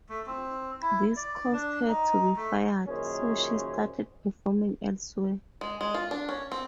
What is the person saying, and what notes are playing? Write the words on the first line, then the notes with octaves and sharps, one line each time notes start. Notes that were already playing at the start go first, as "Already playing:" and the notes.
This caused her to be fired, so she started performing elsewhere.
A3
C4
E4
D5
D4
D#4
A3
F#2 A#2 D#3 C#4 G#4 C5
G#3
G#3
F4
D4
C#4
C4